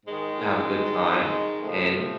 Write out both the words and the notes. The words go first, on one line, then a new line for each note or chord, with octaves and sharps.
have a good time, and
G#2 D#3 G#3
G#2 D#3
F2 C3 F3 A3